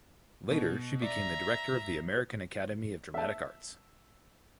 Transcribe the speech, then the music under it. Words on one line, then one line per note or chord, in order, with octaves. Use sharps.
Later she became the director of the American Academy of Dramatic Arts.
B2
D5 E5 A#5
E5 A5